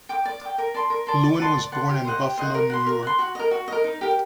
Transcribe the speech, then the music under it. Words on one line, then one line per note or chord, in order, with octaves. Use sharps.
Lewin was born in Buffalo, New York.
G5 D6
D5
G5 D6
A#4
D5 A5 C6
A#4
D5 A5 C6
D5
F#5 A5 C6
D5
F#5 A5 C6
G4
C5 D#5 F#5
G4
C5 D#5 F#5
A#4
F#5 C6
A#4
F#5 C6
F#4
A#4 D#5
F#4
A#4 D#5
D#4
G4 A#4